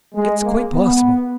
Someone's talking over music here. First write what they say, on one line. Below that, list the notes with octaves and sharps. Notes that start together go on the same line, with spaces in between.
"It's quite possible."
G#3
A#3
B3